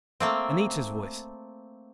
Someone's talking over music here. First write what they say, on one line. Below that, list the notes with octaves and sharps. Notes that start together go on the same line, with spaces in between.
Anita's voice!
A3 A#3 C4